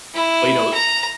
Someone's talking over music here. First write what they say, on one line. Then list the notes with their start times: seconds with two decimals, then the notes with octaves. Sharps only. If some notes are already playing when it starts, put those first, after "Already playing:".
but, l you know,
0.14 E4
0.74 A#5